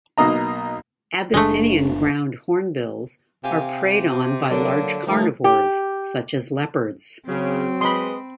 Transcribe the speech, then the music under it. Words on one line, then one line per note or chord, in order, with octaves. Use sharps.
Abyssinian ground hornbills are preyed on by large carnivores, such as leopards.
B1 B2 A#3 D#5 A#5
F#1 G#3 A3 D4
C3 G4 F5 G#5
D3 F#3 A#3 D4
D#3 F3 A3
G4
C#3 F#3 C4
G#3 B4 D#5 B5 C6